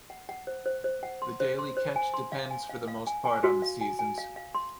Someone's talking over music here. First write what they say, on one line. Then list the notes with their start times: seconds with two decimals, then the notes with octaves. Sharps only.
The daily catch depends for the most part on the seasons.
0.10 F#5
0.29 F#5
0.47 C5
0.66 C5
0.84 C5
1.03 F#5
1.22 C6
1.40 C5
1.59 C6
1.77 C5
1.96 G#5
2.14 C6
2.32 F5
2.51 G#5
2.69 F5
2.88 F5
3.07 G#5
3.25 G#5
3.44 F#4
3.62 F5
3.81 G#5
3.99 G#5
4.18 F5
4.36 F5
4.55 C6